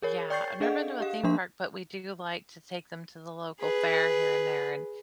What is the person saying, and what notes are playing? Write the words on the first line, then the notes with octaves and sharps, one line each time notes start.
Yeah, I've never been to a theme park, but we do like to take them to the local fair, here and there, and,
G#4 A#4 C#5
D5 G5 C#6 G6 A6 C7
D4 G#4 A4 D#5 F5 F#5
G4 F5
F3 A#3 D4 C6
G#4 B4